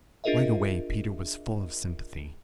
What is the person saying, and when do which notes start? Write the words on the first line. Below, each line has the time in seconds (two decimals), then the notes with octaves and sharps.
Right away Peter was full of sympathy.
0.24 D4 F4 G#4 A#4 D#5 E5